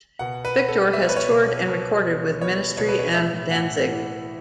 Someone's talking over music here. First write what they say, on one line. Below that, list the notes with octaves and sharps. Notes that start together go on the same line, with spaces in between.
Victor has toured and recorded with Ministry, and Danzig.
B2 F#5
B4
B3
A4
B3 E5
C#5
B4
C#5
B2
B2
B3
B3 C#5
B2 C#5
B4
C#5
A2 E5
A2 F#5
E3